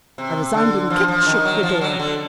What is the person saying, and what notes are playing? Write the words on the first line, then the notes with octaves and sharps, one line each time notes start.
A resounding kick shook the door.
C3
D3
F3
F3
D#3
F#3
F3
F#3
D3